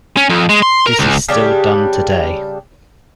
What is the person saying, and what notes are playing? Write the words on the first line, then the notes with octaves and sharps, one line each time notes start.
This is still done today.
C#4
F2
G#3
C6
A#4
C#2
C#3 G3 D4 G4